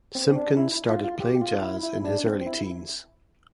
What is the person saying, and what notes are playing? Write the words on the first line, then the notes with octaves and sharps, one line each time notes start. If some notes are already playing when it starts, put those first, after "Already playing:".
Simkins started playing jazz in his early teens.
C4
D4
E4
F4
F4
G4
F4
E4
E4
D4
C4
E4